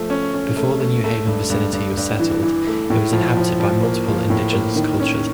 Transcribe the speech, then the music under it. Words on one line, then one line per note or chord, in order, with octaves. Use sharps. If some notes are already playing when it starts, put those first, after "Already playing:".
Before the New Haven vicinity was settled, it was inhabited by multiple indigenous cultures.
Already playing: F3 A3
C#4
C#4
A3
A3
A3
G2
G2
G2
G2
E3
E3
A3
A2
F3
F3
F3
A#3
F3
A2
A#3
D#3
C#4